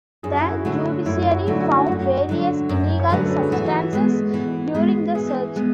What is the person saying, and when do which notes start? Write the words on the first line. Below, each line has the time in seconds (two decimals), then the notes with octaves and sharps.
The judiciary found various illegal substances during the search.
0.23 F#2 G#4
0.32 F#4
0.40 E4
0.49 F#4
0.65 D3 F#3 A3
1.06 F#2 E4
1.33 F#4
1.47 D3 F#3 A3
1.53 E4
1.60 F#4
1.88 F#2 F#4
2.29 D3 F#3 A3
2.69 F#2
3.00 C#5
3.10 D3 F#3 A3 B4
3.26 A4
3.39 G#4
3.52 E3 F#4
3.93 G#3 B3
4.34 E3
4.75 G#3 B3
5.15 E3 G#4
5.56 G#3 B3